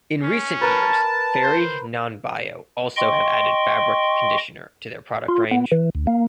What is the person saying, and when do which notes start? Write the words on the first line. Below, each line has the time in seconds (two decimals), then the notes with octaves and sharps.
In recent years, Fairy Non-Bio also have added fabric conditioner to their product range.
0.23 C#4
0.61 A#4 B4 A5
1.42 C5
2.97 D#5 G5 C6 C#6
5.28 F4
5.51 B3
5.72 E3
5.95 D2
6.07 A#3